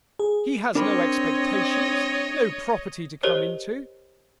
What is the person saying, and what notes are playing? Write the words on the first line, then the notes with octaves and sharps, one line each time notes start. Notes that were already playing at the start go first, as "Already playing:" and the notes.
He has no expectations, no property to come into.
G#4
C4 D4 A#4 C#5 D#5 B5
G4 A#4 C5 C#5 D#5